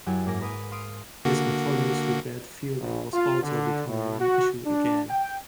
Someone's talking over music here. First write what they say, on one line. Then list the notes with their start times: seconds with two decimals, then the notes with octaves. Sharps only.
His notoriously bad fielding was also becoming an issue again.
0.06 F#2 F#3 E4 G4 F#5 G#5
0.26 G#2 A#3 A#6
0.41 A#4 B4 D#6
0.71 F5 C6 D#6 D7
1.25 D3 A#3 F#4
2.80 A#1
3.13 F4
3.43 D3
3.89 A2
4.20 F#4
4.66 D4
5.09 G5